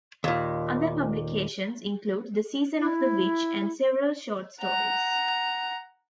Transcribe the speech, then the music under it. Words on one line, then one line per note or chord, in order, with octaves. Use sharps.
Other publications include "The Season of the Witch" and several short stories.
D#2 A#2
E4
F#5 A#5